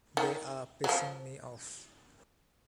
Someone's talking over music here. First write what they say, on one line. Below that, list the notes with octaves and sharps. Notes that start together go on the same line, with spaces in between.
They are pissing me off.
D#3
F#3
F3